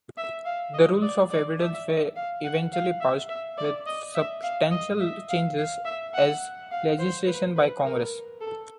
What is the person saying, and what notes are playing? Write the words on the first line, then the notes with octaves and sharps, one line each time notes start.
The Rules of Evidence were eventually passed, with substantial changes, as legislation by Congress.
E5
F5
D#5
D5
D5
E5
F5
F#5
F5
E5
E5
D5
D#5
E5
F5
D#5
E5
F5
F5
E5
F#5
F5
C5
B4
B4
A#4
A4